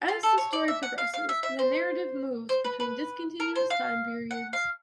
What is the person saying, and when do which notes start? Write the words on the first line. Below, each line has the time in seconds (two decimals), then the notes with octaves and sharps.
As the story progresses, the narrative moves between discontinuous time periods.
0.08 F4
0.23 A4
0.38 C#5
0.53 D5
0.68 E5
0.83 F#5
0.98 F5
1.14 F5
1.29 E5
1.43 E5
1.59 C5
2.49 C5
2.64 B4
2.80 B4
3.40 A#4
3.56 C5
3.70 F5
4.31 F#5
4.53 F5